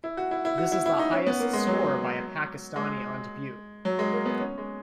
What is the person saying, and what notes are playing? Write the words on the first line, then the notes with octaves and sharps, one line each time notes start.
This is the highest score by a Pakistani on debut.
E4
F#4
E4
E4
F#4
E4
E4
D#4
C#4
B3
A#3
G#3
F#3
G#3
F#3
G#3
A#3
B3
C#4
G#3